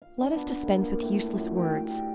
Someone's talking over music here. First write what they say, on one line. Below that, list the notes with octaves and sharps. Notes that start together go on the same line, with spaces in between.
Let us dispense with useless words.
F5
D4
B3
A#3
A#3
A2
F#2
G5
G4